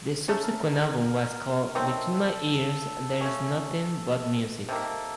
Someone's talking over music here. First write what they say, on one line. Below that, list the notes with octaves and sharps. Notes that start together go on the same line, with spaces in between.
The subsequent album was called "Between My Ears There Is Nothing But Music".
A3 C#4 A4 A#4
A#4
A#4
C3 D#3 F#3 C4 A4
C#3 A3 C#4
C3 D#3 A#3 A4